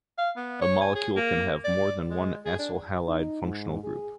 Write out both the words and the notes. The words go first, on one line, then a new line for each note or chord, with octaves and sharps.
A molecule can have more than one acyl halide functional group.
F5
B3
C#5
G#5
G#4
A#3
D5
G#3
G#4
D4
D#4
G#2
G#4